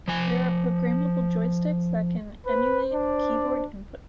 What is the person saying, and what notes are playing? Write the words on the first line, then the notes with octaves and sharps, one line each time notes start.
There are programmable joysticks that can emulate keyboard input.
F3 G#5
B4 C5
D4 D5